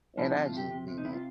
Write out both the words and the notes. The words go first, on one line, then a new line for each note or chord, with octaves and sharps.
and I just didn't,
F3 E4
D#4
C3
F4
C3 G4
C3
C3
D#4
C3 E4
F4